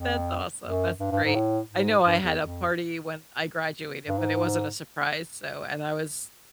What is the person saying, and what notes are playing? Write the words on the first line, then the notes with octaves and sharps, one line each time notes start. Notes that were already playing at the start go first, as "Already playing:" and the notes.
That's awesome, that's great. I know I had a party when I graduated, but it wasn't a surprise so and I was,
Already playing: F2
F#2
G2
G2
G#2
A2
G#2
G2
E2
F2
G2
G#2